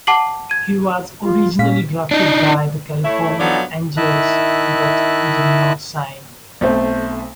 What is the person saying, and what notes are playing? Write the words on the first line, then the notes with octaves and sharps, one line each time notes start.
He was originally drafted by the California Angels but did not sign.
F#5 A5 D6 C7 F#7
G#6 D#7
F4
A#2 C#4 F5 B6
D4 D#4
A3 E4 C#5
F3 F#3 B3 D4 D#4 A4
D#3 E4 D#5 E5 A5 F#6
B1 A3 C4 C5